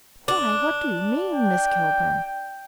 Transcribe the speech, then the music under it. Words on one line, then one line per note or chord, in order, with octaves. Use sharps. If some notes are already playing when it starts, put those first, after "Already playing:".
"Why, what do you mean, Miss Kilburn?"
D4
G5